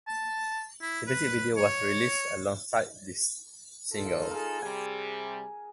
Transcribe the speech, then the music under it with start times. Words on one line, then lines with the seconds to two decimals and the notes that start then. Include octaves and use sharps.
The music video was released alongside the single.
0.07 A5
0.82 E4
1.07 B4
1.57 C#5
3.92 D#4 F4 A4
4.31 G#4 A#4
4.62 C3 G3 G#5